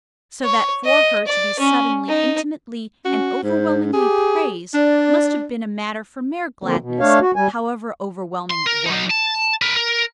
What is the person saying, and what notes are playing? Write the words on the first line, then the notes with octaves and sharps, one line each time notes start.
So that for her, to be suddenly, intimately and overwhelmingly praised must have been a matter for mere gladness, however overwhelming it were.
C#5
D#5
D5
C#4
D#4
C#4 F#4
G#2 C5
G4 G#4
D4 D5
D3 F3 A#3 C4
B2
A3 D4 C#5 F5
F#4
G3 G#5
C6
A#4
F#3 D#4
A5
A#4 B4
A#4